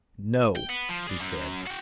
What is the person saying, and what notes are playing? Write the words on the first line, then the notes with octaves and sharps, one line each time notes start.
"No!" he said.
G5
B3
F3
G#4 D5
F#2
F#4 G5